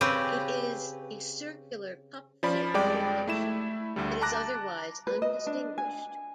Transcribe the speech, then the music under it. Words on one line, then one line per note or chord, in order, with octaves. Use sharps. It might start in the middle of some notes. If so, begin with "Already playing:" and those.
It is a circular, cup-shaped formation that is otherwise undistinguished.
C#3 C4 C#4 G4 B4
F3 C#4 D5 B5
F2 G3 G#3 D5 G5 D6
A3 E4 E7
D2 D3 G3
A5 A#5 D6 F#6 A#6
B4
D#5
D4
G#5